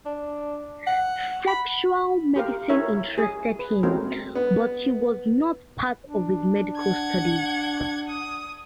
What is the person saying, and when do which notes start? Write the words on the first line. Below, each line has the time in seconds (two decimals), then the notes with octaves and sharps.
Sexual medicine interested him, but was not part of his medical studies.
0.06 D4
0.87 F#5
1.48 B5
2.36 G4 A#4 F5
2.69 E4 A#4 C#5 E5
3.18 G#4
3.59 B4
3.83 G#3 A3 C4 C#4 F#4 A#4
4.35 B3
6.05 D4
6.77 F#5 G#6
8.08 D#6